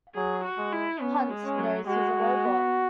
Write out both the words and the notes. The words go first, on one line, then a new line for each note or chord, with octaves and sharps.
Hunt, knows he is a robot.
F#3 G#4
F#4
G#3
E4
B3 C#4
G#3
C#4
F#3
G#3 F#4
G#3
B3